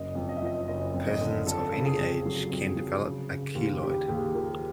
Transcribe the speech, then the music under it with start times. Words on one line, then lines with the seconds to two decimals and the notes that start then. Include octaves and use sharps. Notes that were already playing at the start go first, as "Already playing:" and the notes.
Persons of any age can develop a keloid.
Already playing: F#1 D#5
0.15 F2
0.29 D#5
0.37 E5
0.42 F3 D#5
0.68 F#1 D#5
0.94 F2
1.07 D#5
1.21 D3
1.46 F2 A4
1.72 C#3
1.86 G#4
1.99 F2
2.25 F#3
2.51 F2
2.76 F#3
3.04 C#3
3.30 C#3
3.55 D#2
3.81 C#3 G4
4.08 D#2 G#4
4.34 F3 A#4